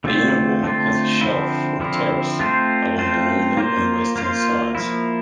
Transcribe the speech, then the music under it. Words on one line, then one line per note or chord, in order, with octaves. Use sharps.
The inner wall has a shelf or terrace along the northern and western sides.
D3 A3 C4 F4
D3 A3 C4 F4
D3 F3 C4 E4
D3 F3 C4 E4
A3 C4 F4 C5
A3 C4 F4 C5
A#3 F4 C5
A#3 F4 C5
F3 A#3 E4